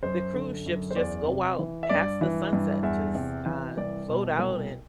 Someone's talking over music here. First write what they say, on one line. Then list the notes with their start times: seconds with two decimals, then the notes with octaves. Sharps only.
the cruise ships just go out past the sunset, just, uh, float out and
0.03 F#2 C5
0.34 D3
0.66 F#2
0.91 C5
0.96 E2 D5
1.28 C3
1.59 E3
1.83 E5
1.89 G2 D5
2.21 E3
2.53 G2
2.83 E2 E5
3.15 C3
3.46 E3
3.77 C2 D5
4.09 B2
4.39 C2